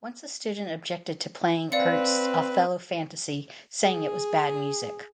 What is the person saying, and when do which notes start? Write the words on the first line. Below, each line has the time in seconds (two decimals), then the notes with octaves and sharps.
Once a student objected to playing Ernst's "Othello Fantasy", saying it was bad music.
1.72 C4 B4 D5 F5 C#7
3.84 G#4